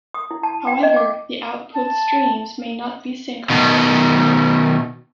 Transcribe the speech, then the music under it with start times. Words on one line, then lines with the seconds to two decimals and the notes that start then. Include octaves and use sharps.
However, the output streams may not be synchronized.
0.14 D#6
0.31 E4
0.43 A5
0.67 G5
0.83 D#5
0.96 D6
1.74 A5
3.50 B2 D#3